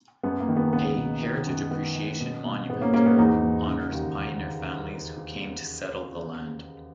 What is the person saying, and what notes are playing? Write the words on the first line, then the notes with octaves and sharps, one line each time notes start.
A "Heritage Appreciation Monument" honors pioneer families who came to settle the land.
F#2 B3
A#3
D#3
B3
C#2 B3
B2
D#3
F#2
D#3 B3
D#3
B2
B2
G#2 B3
A#3 C#4
G#2 A#3 C#4
B3
E2 D#4 F#4
E2
C#3
D#2